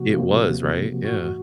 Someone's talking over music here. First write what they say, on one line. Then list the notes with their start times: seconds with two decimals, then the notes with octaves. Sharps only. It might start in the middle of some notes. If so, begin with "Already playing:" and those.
It was, right? Yeah.
Already playing: C3 F3 A#3 F#4
0.10 C3 F3 A#3
1.05 G#2 E3 A3 F#4